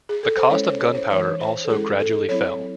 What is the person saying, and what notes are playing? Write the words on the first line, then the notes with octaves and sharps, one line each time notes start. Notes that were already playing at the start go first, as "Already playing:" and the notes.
The cost of gunpowder also gradually fell.
G#4
A4
C5
G#3 C#4 E4 C#5
C5
C#5
C5
E3 G#3 D#4 C#5
C5
A4
G#3 C#4 E4 G#4
A4
F#3 C4 E4 C#5